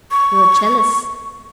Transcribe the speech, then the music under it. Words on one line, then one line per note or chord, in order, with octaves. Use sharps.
You are jealous.
C#6